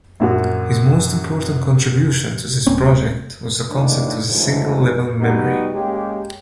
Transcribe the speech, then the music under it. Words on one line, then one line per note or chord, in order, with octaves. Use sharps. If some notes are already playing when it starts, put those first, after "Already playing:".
His most important contribution to this project was the concept of the single-level memory.
A#1 F#2 F#4
D#1 A#3 C4 C#4
G#1 D#2 A2 D#3 A#3 D4
D#2 G#2 D3 E3 F#3 A3
G3 B3 D#4 F#4 G4
G#3 A#3 C#4 G4